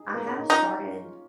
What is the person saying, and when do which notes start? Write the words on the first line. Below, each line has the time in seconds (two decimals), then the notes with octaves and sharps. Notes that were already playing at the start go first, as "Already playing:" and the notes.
I have started
Already playing: D#4 G#4
0.14 A#3
0.26 C#4
0.38 D#4
0.50 C#4 D#4 F4